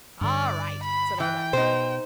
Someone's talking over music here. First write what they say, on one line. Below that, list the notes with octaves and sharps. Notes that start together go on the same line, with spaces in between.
"All right," said old Anthony.
G2 D3 D5
B5
E3 G5
B2 D#4 C5